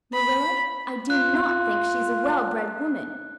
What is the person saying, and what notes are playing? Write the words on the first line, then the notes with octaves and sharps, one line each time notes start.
Marilla, I do NOT think she is a well-bred woman.
B5
F4 F#6